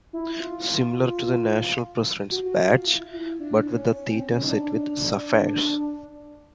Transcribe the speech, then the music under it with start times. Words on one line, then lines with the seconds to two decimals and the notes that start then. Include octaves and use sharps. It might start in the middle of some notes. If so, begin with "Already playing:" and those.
Similar to the National President's Badge, but with the Theta set with sapphires.
0.13 E4
0.39 F4
2.31 F#4
2.46 F#4
2.58 F4
2.86 E4
3.02 F4
3.13 E4
3.40 D4
3.59 D4
3.68 C#4
3.95 C#4
4.10 C4
4.22 C#4
4.43 D#4
4.49 D4